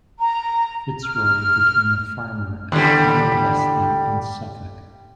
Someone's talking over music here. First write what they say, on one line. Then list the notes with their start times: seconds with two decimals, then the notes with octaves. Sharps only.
FitzRoy became a farmer at Coney Weston in Suffolk.
0.20 A#5
1.04 F6
2.72 D#2 D3 G3